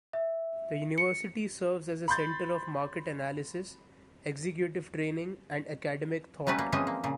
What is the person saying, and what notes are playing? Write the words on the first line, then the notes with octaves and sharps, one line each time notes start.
The university serves as a centre of market analysis, executive training and academic thought.
E5
C#7
B5 C6 G6 A6
F#3 G3 A3 C#4 B4
A#3
E3 F3 G#3 C4 C#4 D#5
A#3
A#2 C#3